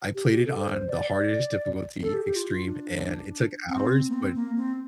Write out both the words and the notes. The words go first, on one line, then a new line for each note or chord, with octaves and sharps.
I played it on the hardest difficulty, extreme, and it took hours, but
G4
G4
A4
C5
C5
D5
D5
A4
G4
G4
F4
F4
D4
C4
A#3
C4
A#3
C4